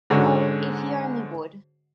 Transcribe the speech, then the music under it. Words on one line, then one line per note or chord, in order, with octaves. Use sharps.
Oh, if he only would!
G#2 D3 G#3 C#4 F#4